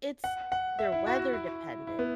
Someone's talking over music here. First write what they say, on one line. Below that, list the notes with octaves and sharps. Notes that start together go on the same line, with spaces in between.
It's they're weather-dependent.
F#5
F#5
E5
E4
F#4
F#4
E4
E4
B3